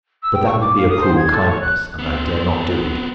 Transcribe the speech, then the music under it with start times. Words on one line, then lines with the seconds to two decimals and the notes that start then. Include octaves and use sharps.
But that would be a cruel kindness, and I dare not do it.
0.22 E6
0.34 G5
0.46 C#6
0.61 D6
0.77 F5
0.89 D#6
1.01 C5
1.16 G#6
1.32 A4
1.48 C#5
1.61 F#6
1.99 B3 C4